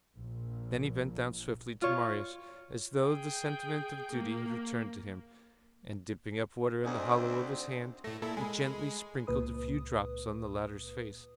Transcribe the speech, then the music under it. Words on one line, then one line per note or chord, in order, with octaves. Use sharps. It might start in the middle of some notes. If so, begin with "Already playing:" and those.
Then he bent down swiftly to Marius, as though the sentiment of duty had returned to him, and, dipping up water in the hollow of his hand, he gently sprinkled a few drops on the latter's face.
A#1
F4 C#5
G#4 G5
A#3
D2 D3 C4 D#4 G#5
A2 A3 A#6
A#2 E4 A4
G#3 G#4 B5
C#2 A#2 B4 D#6